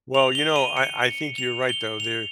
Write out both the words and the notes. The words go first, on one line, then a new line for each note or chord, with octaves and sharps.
Well, you know, I I think you're right though, there
F7
G7
D#7
C#7
F7
G7
F7